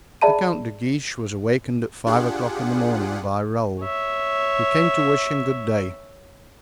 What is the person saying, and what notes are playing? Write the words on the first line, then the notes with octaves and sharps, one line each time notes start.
The Count de Guiche was awakened at five o'clock in the morning by Raoul, who came to wish him good-day.
G#4 D5 E5 A5 B5 D#7
D4 F4 G4 G#4 F#5
C#5 E5